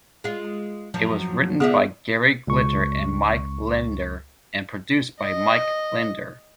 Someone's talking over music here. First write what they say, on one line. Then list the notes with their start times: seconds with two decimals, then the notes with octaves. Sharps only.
It was written by Gary Glitter and Mike Leander and produced by Mike Leander.
0.24 G#3 F4
0.94 F#2 F3 F#3
1.60 D3 F3 B3 G#4 E5
2.47 C#2 C#6
5.21 D#5